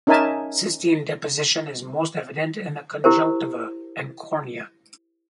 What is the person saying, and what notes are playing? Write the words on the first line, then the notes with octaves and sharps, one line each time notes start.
Cysteine deposition is most evident in the conjunctiva and cornea.
C#4 D#4 A#4 E5 G#5 A5
E4 G4 A#4 C5